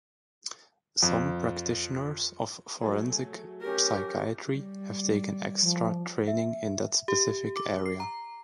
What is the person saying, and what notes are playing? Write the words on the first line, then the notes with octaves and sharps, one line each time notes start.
Some practitioners of forensic psychiatry have taken extra training in that specific area.
F2
F#3 A3 G#4
C#4 G4 A#4
G3
F3
E5
G4
D6
C7
A#5